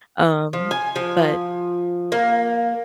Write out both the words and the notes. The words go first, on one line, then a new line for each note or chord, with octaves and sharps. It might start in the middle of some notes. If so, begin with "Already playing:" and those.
Um, but
F3
G#5
F3
A#3